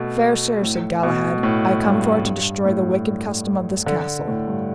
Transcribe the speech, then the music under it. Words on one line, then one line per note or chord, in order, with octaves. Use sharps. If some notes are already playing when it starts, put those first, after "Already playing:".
Fair sir, said Galahad, I come for to destroy the wicked custom of this castle.
Already playing: B2 A3
A2
B2
A2
G2
G2
A2
D3
A2
G2